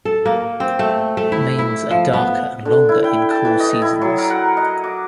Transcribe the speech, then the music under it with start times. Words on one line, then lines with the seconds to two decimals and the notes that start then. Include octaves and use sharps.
Manes are darker and longer in cool seasons.
0.05 A4
0.25 A#3
0.60 C4
0.79 A3
1.17 A3
1.32 E4
1.59 E4
1.91 F3
2.13 B3
2.65 D3
2.89 E4
3.04 G5
3.30 A5
3.45 E3
3.60 D#5
3.82 E4
4.02 F#3
4.18 A#4
4.30 F#5
4.57 D#5
4.84 D6